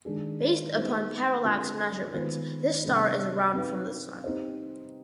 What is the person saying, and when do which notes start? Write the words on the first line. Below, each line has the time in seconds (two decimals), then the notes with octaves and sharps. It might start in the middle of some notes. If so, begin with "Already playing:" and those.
Based upon parallax measurements, this star is around from the Sun.
0.05 D#3 G#3 D4 G#4
0.74 G#3 B3 D#4 G4 C5
1.44 D3 G#3 C4 F4 G#4
2.14 D#3 G#3 B3 F4 C5
2.84 C3 G3 B3 D4 G#4
3.53 C4 D#4 B4 F5
4.24 C4 D#4 G4 C5 D#5